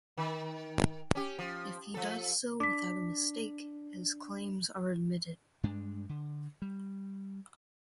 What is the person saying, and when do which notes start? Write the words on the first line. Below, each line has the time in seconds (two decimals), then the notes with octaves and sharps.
If he does so without a mistake, his claims are admitted.
0.17 D#3
1.15 C#4 G4
1.39 F3
1.94 F3 A4
2.60 D4 D6 B6
5.63 G2 G#3 D4
6.09 D3
6.62 G3